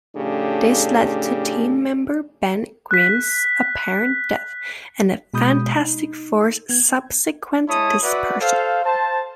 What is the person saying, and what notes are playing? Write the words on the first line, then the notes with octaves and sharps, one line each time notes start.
This led to team-member Ben Grimm's apparent death and the Fantastic Four's subsequent dispersal.
A2 C#3 F3 A3 D4 G4
F#6 B6
B2 G#3 B5 D#6 G6
D#4
B3 G#6
G#3 E4 C#5 A5 D#6
F#4 B4 D5 E5 F#5
A4 C5 F5
C5 A5